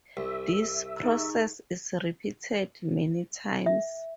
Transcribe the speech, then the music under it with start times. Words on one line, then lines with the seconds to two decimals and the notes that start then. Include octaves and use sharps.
This process is repeated many times.
0.17 C2 E5
1.03 D#4 G#4 C#6
3.66 E5